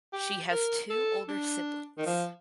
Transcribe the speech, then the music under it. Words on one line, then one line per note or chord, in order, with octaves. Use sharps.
She has two older siblings.
G4
A#4
A4
D4
D#3
F3